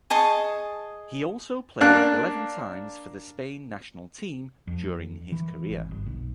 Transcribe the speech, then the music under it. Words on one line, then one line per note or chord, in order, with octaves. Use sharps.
He also played eleven times for the Spain national team during his career.
G#4 D#5 A5 C#6
A#3 D4 A5 F#6
F2
E3
G#1
G1
B1